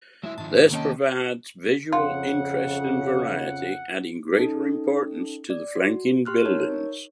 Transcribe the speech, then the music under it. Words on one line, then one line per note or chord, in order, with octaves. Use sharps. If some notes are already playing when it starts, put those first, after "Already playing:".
This provides visual interest and variety, adding greater importance to the flanking buildings.
F#3 G#3 E4 E5
G#2 D#3 F3 A5
D#2 C3 D#3 A#3 C#4 D#5 G5 A5
F2 C#3 F4 F#5
C#4 D#4 A4
D5
F#4
G4 C6 F6 F#6
D#4 A#4 C#5